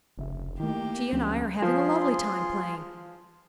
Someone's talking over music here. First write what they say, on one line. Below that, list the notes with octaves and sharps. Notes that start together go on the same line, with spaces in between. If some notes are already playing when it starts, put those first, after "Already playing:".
"She and I are having a lovely time playing."
F1 A#1 C#3 E5
D#3 A3 A#3 E4 G4
D2 F3 A3 C#4
F3 F4 G#4 C6